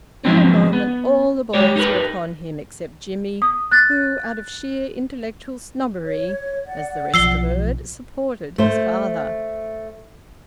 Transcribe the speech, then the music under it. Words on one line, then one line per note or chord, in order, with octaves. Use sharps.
In a moment all the boys were upon him, except Jimmie, who, out of sheer intellectual snobbery, as the rest averred, supported his father.
D3 F3 F#3 G#3 B3 C4
B3
G#3 G4 C#5
D#4 G4 A#4 B4
D#6
F#6 A6
C#5
D5 F#5
B1 F3 E6 C7 G7
A3 C5